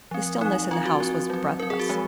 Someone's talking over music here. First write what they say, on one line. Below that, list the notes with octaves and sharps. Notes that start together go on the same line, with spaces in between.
The stillness in the house was breathless.
F3 C4
F3 C4 D#4
F3 C4 F4
F#4
F3 C4
F#3 C4
F#3 C4 A#4
G#4
F#4
F3 G#3 C4